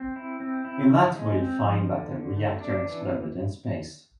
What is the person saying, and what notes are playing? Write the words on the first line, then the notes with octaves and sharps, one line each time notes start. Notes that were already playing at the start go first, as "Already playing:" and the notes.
In that we find that the reactor exploded in space.
Already playing: C4
E4
C4
E4
F3
G#3
C4
F3
D3
D3
A3
D4
E3